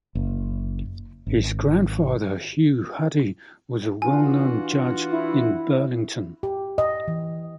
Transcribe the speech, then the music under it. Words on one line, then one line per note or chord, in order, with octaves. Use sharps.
His grandfather, Hugh Huddy, was a well-known judge in Burlington.
F#1
G#1
E3 D4 F4 F#4 G#5
E4
G4
D#5
E3